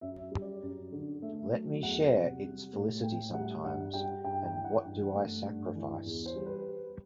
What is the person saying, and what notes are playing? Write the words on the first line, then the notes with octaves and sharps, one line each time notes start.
Let me share its felicity sometimes, and what do I sacrifice?
F#2 E5
G3
D5
F#2
D3
A3 E5
F#3
E2 F#5
C3
G3
A2
A2 G5
G3 F#5
G2 F#5
G3 G5
G2 G5
G5
E3
F#5
G2
A3
G2
E3
E2
C5
G3
B4